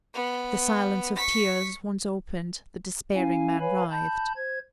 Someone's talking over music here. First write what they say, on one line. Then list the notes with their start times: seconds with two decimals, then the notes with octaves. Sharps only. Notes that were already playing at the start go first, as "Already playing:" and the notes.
The silence of tears once opened, the despairing man writhed.
0.14 B3
1.16 C#6 B6
3.15 C#4 E4 F5 G#5
3.60 B4 C#5 F5 G#5 B5
3.91 A5 B5 G6
4.36 C5 G#6